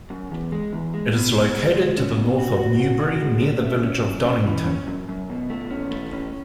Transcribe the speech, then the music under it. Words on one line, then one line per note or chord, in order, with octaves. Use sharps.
It is located to the north of Newbury, near the village of Donnington.
F#2
E2
G#3
E2
G#3
B2
B2
G#3
G#3
C#4
B2
F#4
F#4
F#4
F#4
G#3
C#4
A3
C#4
F#2
C#4
E3
C#4
F#2
F#2
B2
A3
C#4
A3
C#4